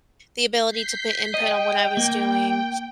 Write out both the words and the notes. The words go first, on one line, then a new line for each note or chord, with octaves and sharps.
the ability to put input on what I was doing.
G6 B6 C7
D#5 G5
A#3